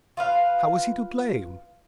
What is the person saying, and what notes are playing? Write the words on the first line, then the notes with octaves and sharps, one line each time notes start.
How was he to blame?
F4 B4 F5